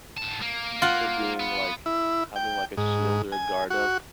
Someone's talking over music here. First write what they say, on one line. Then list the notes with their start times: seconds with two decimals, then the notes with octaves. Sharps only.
for being, like having, like, a shield or a guard up.
0.18 G#2 A5
0.42 A#3
0.82 F4 F#5
1.40 B3
1.86 E4
2.36 G5
2.77 G#2
3.32 G#5
3.70 F#4